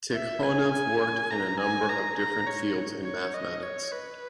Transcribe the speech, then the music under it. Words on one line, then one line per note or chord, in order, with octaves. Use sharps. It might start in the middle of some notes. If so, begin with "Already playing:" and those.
Tikhonov worked in a number of different fields in mathematics.
E5
G#5
G#5
A#5
G#5
A#5
A#5
C#5
C#5
D#5
C#5
B4